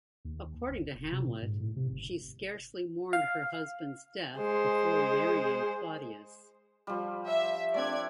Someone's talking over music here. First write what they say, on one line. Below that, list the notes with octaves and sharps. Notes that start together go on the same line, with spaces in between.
According to Hamlet, she scarcely mourned her husband's death before marrying Claudius.
D#2
G1
E1
C3
A#2
G#2
A2
C3
G1
F5
G#3 C5
F3 G3
E5
A3 C4 D4 D5 G#6